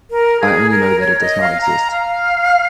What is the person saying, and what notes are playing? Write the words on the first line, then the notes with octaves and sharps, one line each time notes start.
I only know that it does not exist.
A#4
G#4
A#4
C#5
D#5
F5
A#5
F5